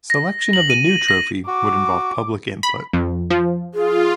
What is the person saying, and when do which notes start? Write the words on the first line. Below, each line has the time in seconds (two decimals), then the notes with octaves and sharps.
Selection of the new trophy would involve public input.
0.10 A#6
0.53 F#7
0.70 D#7
1.08 A#6
1.47 F#4 D6
2.63 B5
2.93 F2
3.31 F3
3.74 F4 G#4